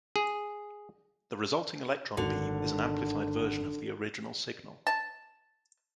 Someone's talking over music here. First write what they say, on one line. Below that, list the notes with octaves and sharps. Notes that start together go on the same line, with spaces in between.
The resulting electron beam is an amplified version of the original signal.
G#4
G#1 D3 F#4 F7
A5